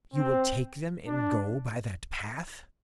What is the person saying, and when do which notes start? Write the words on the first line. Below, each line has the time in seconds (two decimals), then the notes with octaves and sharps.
"You will take them and go by that path?"
0.14 C4
1.06 D4